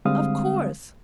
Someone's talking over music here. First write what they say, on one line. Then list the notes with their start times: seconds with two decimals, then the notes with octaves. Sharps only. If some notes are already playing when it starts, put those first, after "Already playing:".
'Of course.
0.05 D3 G3 G#3 C4 F5 D#6